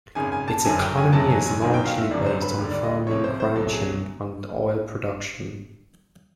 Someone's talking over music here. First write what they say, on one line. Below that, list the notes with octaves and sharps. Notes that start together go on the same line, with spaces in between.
Its economy is largely based on farming, ranching and oil production.
G#1 F#2 C#3 G#5
G#5
A5
F#1 F#2 D3 F#3 G#5
G5
G#5
F#1 E2 B2 F#3 A5
G#5
G#5
G1 F#2 D#3 F#3 G#5
G5
F5
E5
G#1 F#2 D3 F#3 D5
C5
B4
D#2 D3 G3
D5
D#5
C#2 C3 F3 C#5
C5
C5
C2 B2 F#3 A4
G#4